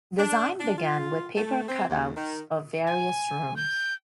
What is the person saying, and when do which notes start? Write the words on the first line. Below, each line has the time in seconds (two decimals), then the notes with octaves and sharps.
Design began with paper cut outs of various rooms.
0.18 D4
0.60 D4
0.77 F4
1.36 A3
1.69 C4
1.89 D#2
2.16 D#3
2.86 G#5
3.56 G6